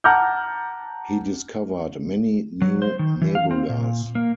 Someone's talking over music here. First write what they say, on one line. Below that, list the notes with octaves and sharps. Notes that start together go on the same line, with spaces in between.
He discovered many new nebulas.
F#5 A5 A#5 D6 F6 G6
F#3
C5
D#3
E3
F5
C4
A#2
A#3